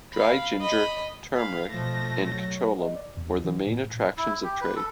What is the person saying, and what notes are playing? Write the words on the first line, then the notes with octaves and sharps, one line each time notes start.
Dry Ginger, Turmeric and Kacholam were the main attractions of trade.
F5 B5
D#5 B5
F5 B5
B2 F3 A3 A#6
F#3
D#5
D5
E2
E3
A2
E4
G4
B4
A4